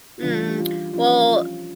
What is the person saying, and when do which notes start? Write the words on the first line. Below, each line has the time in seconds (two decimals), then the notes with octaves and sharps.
Mm, well,
0.22 C#3 E3 G3 D4 F4
0.50 G4
0.58 F4
0.93 F3 C#4 F4
1.29 F4